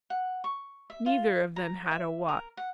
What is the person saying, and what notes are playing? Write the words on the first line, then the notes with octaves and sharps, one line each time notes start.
Neither of them had a watch.
F#5
C#6
E5
F4
A#5
E5
A#4
F#5